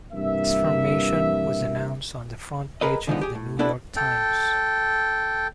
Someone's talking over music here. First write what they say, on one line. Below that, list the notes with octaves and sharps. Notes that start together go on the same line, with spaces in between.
Its formation was announced on the front page of "The New York Times".
G2 C3 E3 A#3 E5
G#4 A#4 B4 D#5
D3 D#3 F3 G#3 B3 D#4
G4 G#4
A2
B3 D4 E4 A4 B4
A4 G5